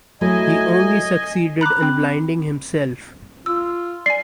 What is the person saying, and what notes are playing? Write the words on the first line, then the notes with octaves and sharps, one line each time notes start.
He only succeeded in blinding himself.
F#3 A3 E4 D#5 G#5
A#5 B5 D6 F#6
C4
F4 E6
D5 G#5 C7